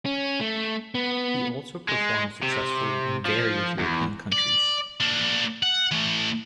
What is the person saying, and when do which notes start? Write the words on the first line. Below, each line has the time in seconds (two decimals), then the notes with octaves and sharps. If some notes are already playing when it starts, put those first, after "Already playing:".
He also performed successfully in various European countries.
0.06 C#4
0.41 A3
0.95 B3
1.89 G#3
2.43 C3
3.26 F3
3.79 E2
4.33 D5
5.00 A#3 D4
5.63 F#5
5.92 E3 A3